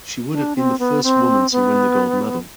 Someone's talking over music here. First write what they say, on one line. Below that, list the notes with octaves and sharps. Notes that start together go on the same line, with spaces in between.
She would have been the first woman to win the gold medal.
D4
C4
B3
C4
B3